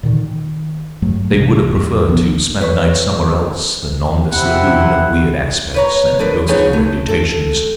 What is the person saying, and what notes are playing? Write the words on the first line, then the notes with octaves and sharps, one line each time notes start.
They would have preferred to spend the night somewhere else than on this lagoon of weird aspect and ghostly reputation.
A#2 D3 D#3
D#3
G2 F#3 A3
C2 C3 E3 A#3
F2
A#1 F3 B3 C4
B4 C#5
C3 E4 F#5
B4 C#5 A#5
D3 F3 D4 A#4 B4
F3 B3 D#4 G#4 B4 C#5
A3
A4